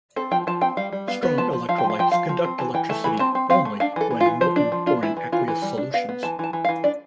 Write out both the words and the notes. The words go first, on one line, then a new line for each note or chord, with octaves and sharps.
Strong electrolytes conduct electricity "only" when molten or in aqueous solutions.
C4 A4
F3 G5
F3 A5
C4 G5
G3 F5
G3
B3 F5
B3
F3 A5
F3
F3 F5
G5
F3
F5
F3 G5
F3 F5
F3
C4
E3 A5
E3 G5
A3 A5
E3 B5
C4 A5
C4
C4 F5
A3
D4 F5
E3 A4
E3
F4
E3
F3 C5
D4 D5
F3
D4 F4
E3 E4
E3
E3 F4
E3
G3
D4
B3 F5
B3
E3 A5
E3 A5
E3
F5
E3
D4 D5